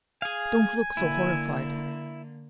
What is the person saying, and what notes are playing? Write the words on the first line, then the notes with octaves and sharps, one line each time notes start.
Don't look so horrified.
G#4 F5 G#5
D3 A#3 E4